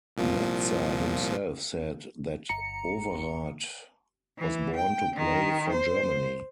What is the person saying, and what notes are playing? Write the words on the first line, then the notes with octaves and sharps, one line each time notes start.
Netzer himself said that Overath "was born to play for Germany".
C2 A#2 F3
G1 A#5 C#7
E3
G5
D#3
C5